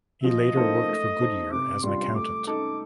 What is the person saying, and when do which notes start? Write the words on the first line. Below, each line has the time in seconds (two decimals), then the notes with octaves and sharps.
He later worked for Goodyear as an accountant.
0.24 F3 D#5
0.56 A#3 D#4 A4 C5
0.88 A3
1.19 D#4 A4 C5
1.52 C3 D6
1.83 G3 D4 F4 C6
2.15 A3 D6
2.47 D#4 A4 D6